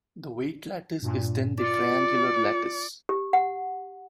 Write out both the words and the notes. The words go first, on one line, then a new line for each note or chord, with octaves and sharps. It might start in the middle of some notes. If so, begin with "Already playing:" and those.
The weight lattice is then the triangular lattice.
G2 A#2
F4 D5 C#7
G4
F#5